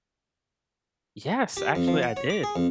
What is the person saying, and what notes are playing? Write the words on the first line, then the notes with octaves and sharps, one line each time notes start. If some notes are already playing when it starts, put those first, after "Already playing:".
Yes, actually, I did.
G4
F2
F3
F#5
C#5
D6
G#4
F2